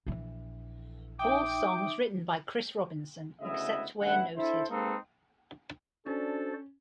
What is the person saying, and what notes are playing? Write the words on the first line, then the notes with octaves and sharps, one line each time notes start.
All songs written by Chris Robinson, except where noted.
A#1 E3
D#4 E5 G5 D6 D#6
D2 C#3 B3 E4 D#5 E5
A1 D3 E4 F#5
D4 E4 A4 C5
G#3 A#3 C4 D#4 A4 B4
C#4 D4 F#4 A4 C5 D5